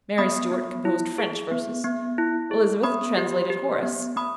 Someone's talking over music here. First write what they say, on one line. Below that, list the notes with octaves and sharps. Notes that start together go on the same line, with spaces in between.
Mary Stuart composed French verses; Elizabeth translated Horace.
B3 B5 D#6
B3
E4
G#4
B3
B3
E4
G#4
B3 B5 D#6
G4
G4
B3
B3 B5 D#6